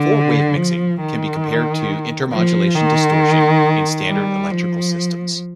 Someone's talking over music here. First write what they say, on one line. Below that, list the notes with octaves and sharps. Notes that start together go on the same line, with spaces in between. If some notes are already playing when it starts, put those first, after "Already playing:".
Four-wave mixing can be compared to the intermodulation distortion in standard electrical systems.
Already playing: D3
F3
D#3
F3
D#3
G3
F3